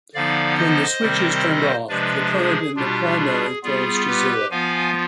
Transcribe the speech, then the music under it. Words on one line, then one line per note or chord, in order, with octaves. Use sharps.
When the switch is turned off, the current in the primary falls to zero.
D3 F3 B3 D#4 D5 F5
C5 D#5
C3 D#3 G3 C4
C3 F3 G#3 D4 B4 D5
G#4
B2 G3 D4 F4 G4
G#4
G3 B3 F4 G#4
G4 B4
F3 B3 F4 F5 G#5